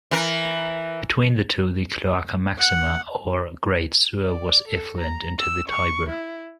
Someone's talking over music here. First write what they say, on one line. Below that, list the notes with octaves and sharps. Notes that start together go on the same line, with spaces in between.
Between the two, the Cloaca Maxima, or Great Sewer, was effluent into the Tiber.
E3 A#4
F#5
D5
A4
A#5
E6
C#6
E4